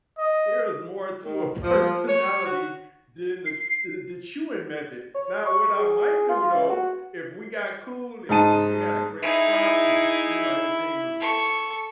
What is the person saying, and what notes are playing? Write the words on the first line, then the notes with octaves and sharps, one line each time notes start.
there is more to a personality than the the the chewing method, now what I might do though, if we got cool and it when we had a great spark and g you know, everything was f
D#5
D#3
F3
C#5
F#4
C7
C#5
C#6
G#4
F4
C#2
F#4
G#2 D#4 A5 D#7
D#4 E4 G#4
A4 C#6